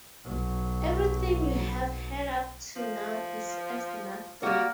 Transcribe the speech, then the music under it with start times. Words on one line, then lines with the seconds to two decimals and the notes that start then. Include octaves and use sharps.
Everything you have heard up to now is as nothing.
0.25 B1 F#3
2.76 F3
4.43 G3 A#3 F#4